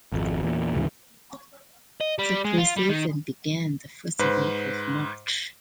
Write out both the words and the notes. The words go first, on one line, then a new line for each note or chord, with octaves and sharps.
The preseason began the first week of March.
G#1 F2
E2 A#2
D2 G#2 C#3 E3
D#5
G3
G#3
F4
G3
D#3
G#2 B4 C5